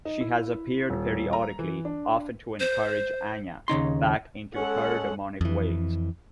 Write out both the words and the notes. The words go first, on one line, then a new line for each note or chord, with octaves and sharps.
She has appeared periodically, often to encourage Anya back into her demonic ways.
D#4
E4
D#1
A#5
E3
D4
C5
D#2 C#3 D#4 C6
G#3 C#4 A4 F#5
F2 E3